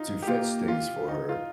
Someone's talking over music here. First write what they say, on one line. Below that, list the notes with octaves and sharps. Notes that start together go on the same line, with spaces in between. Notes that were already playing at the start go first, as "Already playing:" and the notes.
to fetch things for her,
Already playing: D#4 F4
G4
A#3 F4
F4
D#4
F4